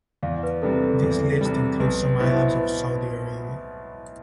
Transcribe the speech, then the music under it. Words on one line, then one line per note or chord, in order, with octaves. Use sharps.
This list includes some islands of Saudi Arabia.
E2 D5 F5
B4
C3 G3 A4
E2 A4
C3 G3
B1 B4
B2 B3 E4 C5
B4